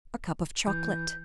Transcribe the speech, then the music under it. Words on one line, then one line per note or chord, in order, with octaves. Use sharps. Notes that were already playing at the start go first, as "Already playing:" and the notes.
"A cup of chocolate."
E3 G6